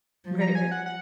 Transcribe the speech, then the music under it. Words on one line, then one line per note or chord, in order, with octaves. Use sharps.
Right, right.
F3
A#5
G#5
F#5
F#5